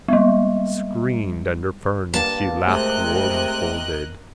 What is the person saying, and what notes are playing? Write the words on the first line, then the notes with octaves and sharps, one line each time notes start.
Screened under ferns she laughed warmfolded.
G3 G#3
G2 A#3 A5
C3 G#3 A3 A#4 D#5 F#6